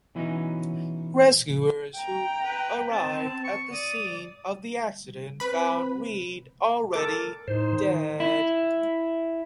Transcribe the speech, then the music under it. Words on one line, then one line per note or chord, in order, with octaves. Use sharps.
Rescuers who arrived at the scene of the accident found Reed already dead.
B2 E3 F#3 G3 C#4 D#4
G5 A#5
B4
C4 A5
C#6
D5 D#6
C4 B4 B5
A4 A#4 D6
A2 D#4 C5
D#3
E4